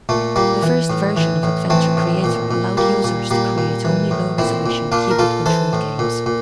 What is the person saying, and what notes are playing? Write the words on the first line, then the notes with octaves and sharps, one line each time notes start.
The first version of Adventure Creator allowed users to create only low-resolution, keyboard-controlled games.
A#2 A3
A#2 G3 A#3
E3
A2
E3
A2
E3 A3 C4
A2
A#2
A#2
A#2 G3 A#3
A#2
A#2 G3 A#3
A#2
E3
A2
A#2 C4 E4
A#2
A#2 D4 F4
A#4
A#2 F4 A4
E3 A4 C5
A2
A#2
A#2